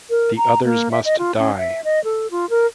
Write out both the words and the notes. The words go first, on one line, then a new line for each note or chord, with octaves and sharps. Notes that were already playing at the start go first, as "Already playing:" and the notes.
The others must die.
A#4
A#5
A#3
E5
D#5
F4
C#4
E5
D#5
A4
F4
A#4